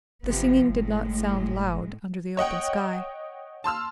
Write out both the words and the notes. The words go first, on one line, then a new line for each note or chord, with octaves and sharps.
The singing did not sound loud under the open sky.
G1 C3 F3 B3
G1 A2 G#3
C#5 D#5 F#5 G5
A5 C6 E6 F6